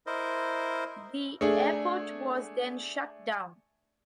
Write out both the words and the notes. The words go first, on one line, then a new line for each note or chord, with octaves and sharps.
The airport was then shut down.
E4 A#4 C5 D#5
A3 D4 G#4